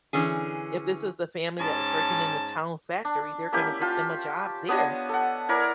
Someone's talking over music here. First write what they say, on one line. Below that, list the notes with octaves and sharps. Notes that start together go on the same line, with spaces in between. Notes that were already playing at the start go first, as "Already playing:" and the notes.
if this is the family that was working in the town factory, they're gonna get them a job there,
D3 E3 C#4 G#4
G#2 C#4 A5
D4
A#3 C#4 E4 G4
F4 G5 A5
B3 D4 C#5 D#5
A4 F#5
E4 A#4 C#5 D5